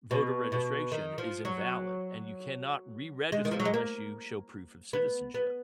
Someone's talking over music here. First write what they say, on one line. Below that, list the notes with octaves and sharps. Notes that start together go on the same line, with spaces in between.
voter registration is invalid, and you cannot reregister unless you show proof of citizenship
B2
B2
D#3
F3
F#3
G#3
D#3
F3
F#3
G#3
A#3
B3
B3